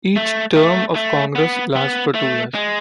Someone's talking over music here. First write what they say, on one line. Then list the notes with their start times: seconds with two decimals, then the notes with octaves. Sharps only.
Each "term" of Congress lasts for two years.
0.16 A3
0.56 A3
0.96 A3
1.35 B3
1.76 B3
2.14 A3
2.55 G#3